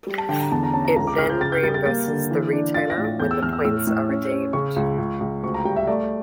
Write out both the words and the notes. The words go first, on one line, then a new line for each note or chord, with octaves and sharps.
It then reimburses the retailer when the points are redeemed.
G3
A5
D3 G5
A#5
E2 A5
A#5
C#4 A5
A#5
C#2 A#5
D6
C#3 F6
G6
C#3 A6
G6
G3 A6
A6
A#3 A6
D3
E3
D4
F4 A6
A#6
A2
A6
E2 G6
E6
E2 F6
E6
A2 E6
A2
C#4
C#4
C#3 C#6
C#2
C#2
C#2
D2 C#6
A#5
G3 G5
E5
A3 D5